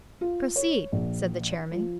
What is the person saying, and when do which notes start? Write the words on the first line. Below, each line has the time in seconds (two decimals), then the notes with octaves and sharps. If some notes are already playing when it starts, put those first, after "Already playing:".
"Proceed," said the chairman.
0.21 F4
0.56 C#5
0.92 A#1
1.71 F3